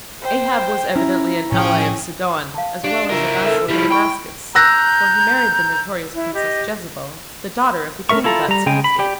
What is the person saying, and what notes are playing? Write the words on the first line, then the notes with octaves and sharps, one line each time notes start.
Ahab was evidently an ally of Sidon as well as a vassal of Damascus, for he married the notorious princess Jezebel, the daughter of the king of that city State.
C5 G5
C#4 E4 A#5
A2 F3 C#4 G#4 G5
F5 A5
D4 G4 F5
D4 E4 F4 A#4 D#5
A4 E5
F3 G3 E4
G5 B5 C#6
A#5 E6 F#6 G6 A#6
E4
G4 D#5
A3 C4 A#4 E5 C#6
E4 F4 A4 A#5
G3 A#5
C#3 G#3 G5 G#5
B5
G4 D5 G5